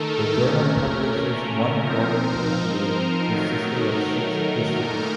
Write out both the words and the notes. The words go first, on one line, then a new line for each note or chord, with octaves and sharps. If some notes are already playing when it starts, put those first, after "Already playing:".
The journal publishes one volume per year, consisting of six issues.
Already playing: D#3 A3 D#4 A4 A#4
A#2 A3 C#4
F3 C4 D#4 A#4
D#3 F#3 A3 D#4
A#2 A3 D#4 A#4